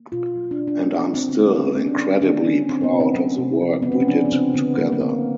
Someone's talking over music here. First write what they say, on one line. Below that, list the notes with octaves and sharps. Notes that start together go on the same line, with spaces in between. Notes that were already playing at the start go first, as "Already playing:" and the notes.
And I'm still incredibly proud of the work we did together.
Already playing: A#3
B2 F4
F#3
D4
B2
D4
A#3 D4
A#3
C4
D3 B3
C#4
G3 B3
C4
A#3 C#4
D4
D3 C#4
D3 D4
A#3 C#4
F#3 C4
C4
B3
C3
C4
F#3 C#4
C3
F3
C#3 B3
C4
C#4
F3 D4
B3
C#3 C4
D3 B3
F#3 A#3
A#3
D3 B3